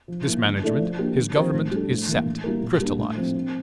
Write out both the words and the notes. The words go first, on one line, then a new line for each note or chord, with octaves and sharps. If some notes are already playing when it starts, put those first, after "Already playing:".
This management, his government, is set, crystallized.
F3
A#3 E4
D3
A3 E4 A4 D5
F3
A#3 D4 G4
D3
F3 C4 G4 C5
A2
G3 D4 A4
A2
E3 A#3
A2
G3 A#3 E4 A#4
A#2
G3 A#3 D4
A2
F3 C4
C4